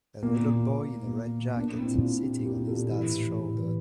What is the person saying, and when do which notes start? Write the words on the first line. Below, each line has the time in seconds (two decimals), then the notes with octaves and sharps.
A little boy in a red jacket sitting on his dads shoulder.
0.22 A#2 A#3
0.40 A#2
0.56 A#2
0.73 A#2
0.89 A#2
1.06 A#2
1.23 A#2
1.39 A#2
1.56 A#2 A#3 D4
1.73 A#2
1.78 C4 E4
1.89 A#2
2.01 D4 F4
2.06 A#2
2.23 A#2 E4 G4
2.40 A#2
2.45 G4 A#4
2.56 A#2 G4
2.67 F4 A4
2.73 A#2
2.89 E3 E4 G4
3.06 A2
3.23 E3
3.39 A2
3.56 E3